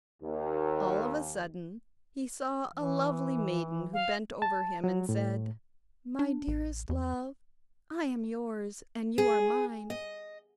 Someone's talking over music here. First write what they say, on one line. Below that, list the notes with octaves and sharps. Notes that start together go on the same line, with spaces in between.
All of a sudden he saw a lovely maiden who bent over him and said: 'My dearest love, I am yours and you are mine.
D#2
E3
F5
A5
F#3
A2
D4
A1
E2
G#4
D#5